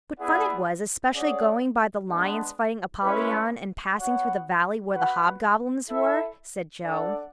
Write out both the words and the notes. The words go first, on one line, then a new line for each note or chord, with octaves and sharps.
"What fun it was, especially going by the lions, fighting Apollyon, and passing through the valley where the hob-goblins were," said Jo.
B3 E4 G#4 D5 F#5
C#4 G#4 D5 F#5
G#3 B3 D4
G#3 C#4 E4 B4
B3 F#4 C#5 F#5
F#4 B4 F#5
E4 A4 E5
D4 A4 D5 F#5